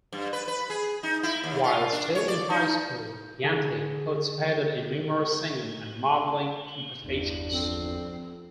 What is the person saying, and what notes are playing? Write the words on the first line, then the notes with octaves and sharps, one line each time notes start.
While still in high school, Yanti participated in numerous singing and modelling competitions.
G2
B4
B4
G#4
D#4
E4
D#2
F4
D4
C#5
D5
D#4
D3 G#4
G1 E2 D4
F2 C4